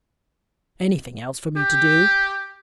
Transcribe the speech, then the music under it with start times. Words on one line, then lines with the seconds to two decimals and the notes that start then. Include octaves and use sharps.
"Anything else for me to do?"
1.57 G4